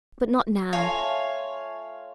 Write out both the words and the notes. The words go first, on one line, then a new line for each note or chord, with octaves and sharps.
But not now.
A3 F4 C#5 F5 G#5 A5